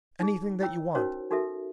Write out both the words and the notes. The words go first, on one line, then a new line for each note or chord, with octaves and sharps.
Anything that you want.
D#4 G#4
E4 C#5 G5 E6
C#4 D#4 F#4 A#4 C5 C#5
D#4 F#4 A4 A#4 E5